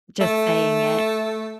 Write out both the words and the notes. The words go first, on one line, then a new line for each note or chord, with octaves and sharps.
just saying it
A3